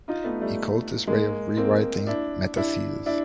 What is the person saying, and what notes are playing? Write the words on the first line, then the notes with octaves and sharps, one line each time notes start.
He called this way of re-writing "metathesis".
D#4 F4
A3 B3
G3 A3
G#3 A#3
A#3 C4
D4 E4
D4 E4
D4 E4